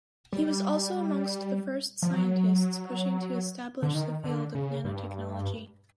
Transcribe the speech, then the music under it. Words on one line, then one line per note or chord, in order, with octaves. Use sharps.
He was also amongst the first scientists pushing to establish the field of nanotechnology.
G3
F3
F#3
D3
D#3
D3
C#3
G2